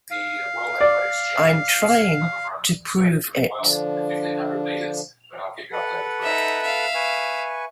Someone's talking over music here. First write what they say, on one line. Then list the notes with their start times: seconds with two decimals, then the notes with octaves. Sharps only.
I'm trying to prove it.
0.11 F5
0.81 D5
3.60 D3 F3 D4
5.72 A4 B4 F#5
6.22 D#4 E5
6.62 E5 F5
6.95 B4 G#5 C#6